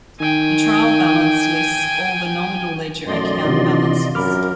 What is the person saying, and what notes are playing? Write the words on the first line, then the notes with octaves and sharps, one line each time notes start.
The trial balance lists all the nominal ledger account balances.
D#3 G5 G#5
B1 F#2 A3 D5 D#5 C6
C3 D#3 E3 D4 F4
G#1 F#2 A#2 A#4 B5 D6 F6